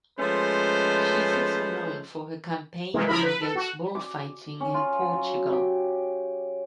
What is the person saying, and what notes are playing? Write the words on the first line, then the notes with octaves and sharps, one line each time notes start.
She is also known for her campaigning against bullfighting in Portugal.
F3 G#3 A3 C#4 B4 C5
C3 E3 G#3 A#3
F3 E4 A#4 B5
B4
A4
F#4
D6
C#4
F4
F#3
G4